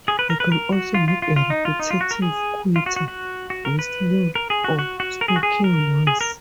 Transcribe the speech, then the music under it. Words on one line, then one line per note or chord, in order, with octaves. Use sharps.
They can also make a repetitive quieter whistling or squeaking noise.
G#4
B4
A#4
B4
A#4
F#4
F4
F4
F4
F4
D#4
F4
D#4
F4
F#4
A#4
G#4
F4
F#4
F#4
F#4
F#4
A#4
B4
A#4
G#4
F#4
F#4
F#4
A#4
G#4
F#4
G#4
A#4
G#4
A#4